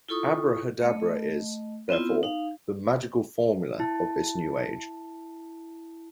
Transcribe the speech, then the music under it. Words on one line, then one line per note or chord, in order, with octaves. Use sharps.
Abrahadabra is, therefore, the "magical formula" of this new age.
E4 F4 A4 C#6 D#6
A3 D#5
B3 C4 E4 F4
D#4 F5
E4 A5